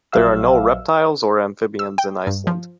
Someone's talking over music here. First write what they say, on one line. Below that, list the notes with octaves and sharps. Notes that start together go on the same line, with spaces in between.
There are no reptiles or amphibians in Iceland.
A#1 F#3 E5 F5 E6
E6
G5
G2
F3